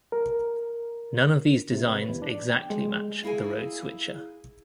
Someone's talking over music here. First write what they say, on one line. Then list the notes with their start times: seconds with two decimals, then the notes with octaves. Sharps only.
None of these designs exactly match the Road Switcher.
0.12 A#4
1.72 C3
1.88 B4
2.09 E2
2.22 D4
2.50 G5
2.70 G#3
3.23 A#3 E4 G#4 G#5